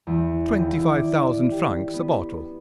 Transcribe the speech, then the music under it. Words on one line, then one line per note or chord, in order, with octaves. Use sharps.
"Twenty-five thousand francs a bottle."
E2
D#2
E4
D5
G4
B3